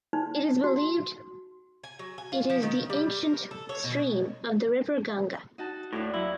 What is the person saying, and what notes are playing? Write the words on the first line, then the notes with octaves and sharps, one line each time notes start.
It is believed it is the ancient stream of the river Ganga.
D#4
F#4
G#5
F#3
G#5
F4
F3
D#3
G3
A#4
A4
C#5
B2
D#4 F#4 A5
D#2 A2 D4
F#3 E4